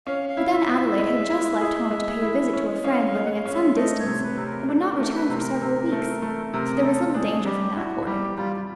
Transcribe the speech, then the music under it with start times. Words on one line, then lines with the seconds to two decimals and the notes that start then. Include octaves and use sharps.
But then Adelaide had just left home to pay a visit to a friend living at some distance, and would not return for several weeks, so there was little danger from that quarter.
0.06 C#4 F5
0.29 F5
0.37 E4
0.53 E5
0.69 E4
0.76 E5
0.99 G#3
1.31 E4
1.61 G#4
1.91 G#3
2.22 E4
2.53 C#4
2.84 C#4 F5
3.07 F5
3.15 G#3
3.25 F#5
3.30 F5
3.45 C#4
3.53 E5
3.76 A3 D#5
3.99 C#5
4.06 C3
4.23 B4
4.37 C3
4.46 A#4
4.69 D4 A4
4.82 A4
4.91 A#4
5.00 A3
5.14 B4
5.29 C3
5.38 A#4
5.61 C3
5.92 A3
6.22 A3
6.54 C3 A#4
6.75 G#4
6.83 C3 A4
7.14 D4 G#4
7.45 G3 G4
7.76 E4 F#4
8.07 G3 G4
8.38 G3 F4
8.56 F4